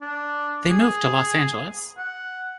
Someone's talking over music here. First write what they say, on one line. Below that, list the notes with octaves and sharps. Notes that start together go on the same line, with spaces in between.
They moved to Los Angeles.
D4
G#4
F#5